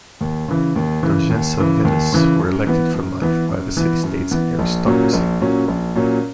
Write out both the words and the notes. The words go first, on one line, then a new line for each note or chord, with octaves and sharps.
Doges of Venice were elected for life by the city-state's aristocracy.
D#2
C#3 E3
D#2
C#3 E3
D#2
C#3 E3
D#2
C#3 E3
F#2
E3 B3
F#2
E3 B3
F#2
E3 B3
F#2
E3 B3
A#1
A#2 F#3 C#4
A#1
A#2 F#3 C#4
A#1
A#2 F#3 C#4